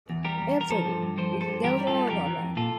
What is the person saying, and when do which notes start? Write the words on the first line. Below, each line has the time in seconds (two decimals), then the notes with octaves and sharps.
Anthony, we can get along on that.
0.10 E2
0.25 G3 G4 A#4
0.41 E2
0.56 E2 A#4
0.71 F3 A4 C5
0.86 G2
1.02 G2
1.18 F3 A4 C5
1.33 F3
1.41 A4 C5
1.49 G2
1.63 E3 G4 A#4
1.79 G3
1.87 F4 A4
1.94 G3
2.10 F2 G4 A#4
2.26 E3
2.41 F2
2.56 A#2 F4 A4